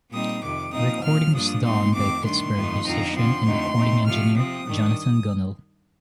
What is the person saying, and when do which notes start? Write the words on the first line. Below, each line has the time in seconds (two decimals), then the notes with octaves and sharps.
The recording was done by Pittsburgh musician and recording engineer, Jonathan Gunnell.
0.12 A#2 G3 C4 D#4 D#6
0.42 F2 C3 D#3 D6
0.73 A#2 F3 C4 D#4 D#6
1.03 A#2 F3 C4 F6
1.34 G2 F3 A#3 D4 D#6
1.64 A#2 G3 C4 D#4 C6
1.94 F2 D#3 A3 C4 D6
2.24 G2 D#3 A3 D4 C6
2.55 F2 D#3 A3 D#4
2.85 F2 D3 F3 C4 D#4 A#5
3.15 D3 F3 C4 C6
3.46 F2 D3 A3 C4 D#4
3.76 A#2 A3 C4 D#4
4.06 C3 F3 A3 F6
4.37 C3 F3 C4 D#6
4.67 G2 D#3 G3 D4